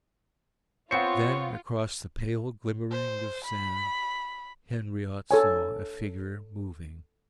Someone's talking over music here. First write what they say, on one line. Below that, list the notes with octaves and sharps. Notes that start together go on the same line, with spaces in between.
Then, across the pale glimmering of sand, Henriot saw a figure moving.
B3 C4 F4 C5 C#5 F#5 C#7
C5
B5
A4 C#5 G#5